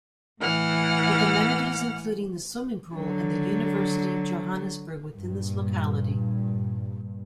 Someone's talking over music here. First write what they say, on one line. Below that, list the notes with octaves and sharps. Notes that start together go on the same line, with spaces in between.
With amenities including the swimming pool and the University of Johannesburg within this locality.
A2 E3 F#5 F6
D3 F#3
G2 A#2